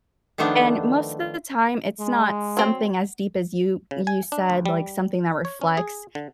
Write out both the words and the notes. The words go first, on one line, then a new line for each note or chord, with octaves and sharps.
and most of the time it's not something as deep as you you said, like, something that reflects.
D#3 F3 A3 B3 D4
G#3
F#3 C4
C#3
G#5
D4
D2
G3
C#5
C#4
G#4
D3